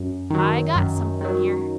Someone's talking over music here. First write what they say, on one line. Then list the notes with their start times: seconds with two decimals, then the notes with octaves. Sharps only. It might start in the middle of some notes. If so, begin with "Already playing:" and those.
I got something here.
Already playing: F#2
0.30 D#3 F#3
0.76 F#2
1.21 D#3 F#3